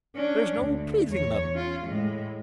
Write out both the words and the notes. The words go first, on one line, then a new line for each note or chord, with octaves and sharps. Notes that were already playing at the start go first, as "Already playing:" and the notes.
There's no pleasing them!'
C#4 D4
D2
E2 C#5
C#4 F4
A2 G#3